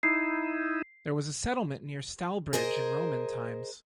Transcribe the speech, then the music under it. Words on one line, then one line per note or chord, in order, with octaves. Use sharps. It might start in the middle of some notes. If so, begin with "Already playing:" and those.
There was a settlement near Stalbridge in Roman times.
D#4 E4 C7
G#4 A#4 C5 D#5